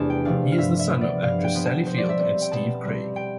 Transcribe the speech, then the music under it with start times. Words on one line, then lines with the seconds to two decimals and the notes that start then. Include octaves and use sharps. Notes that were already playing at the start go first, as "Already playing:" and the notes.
He is the son of actress Sally Field and Steve Craig.
Already playing: E2 C3 A3 D4 A5
0.10 G5
0.25 C3 F3 A3 D4 F5
0.52 F5
0.58 G2 E5
0.79 E5
0.90 F3 B3
1.01 D5
1.22 G2 F5
1.44 G5
1.55 F3 B3
1.65 A5
1.87 B2 C5
1.98 D5
2.09 E5
2.20 G3 C4
2.42 G5
2.51 B2 A5
2.85 G3 C4
3.16 G5